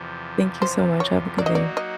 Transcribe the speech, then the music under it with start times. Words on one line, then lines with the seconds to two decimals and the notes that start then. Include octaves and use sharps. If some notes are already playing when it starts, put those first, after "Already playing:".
Thank you so much, have a good day.
Already playing: E2 C3 F3
0.62 C5
1.00 C#5
1.38 F#3 A#3 D#4 F#4 D5
1.46 D#5
1.55 D5
1.77 D#5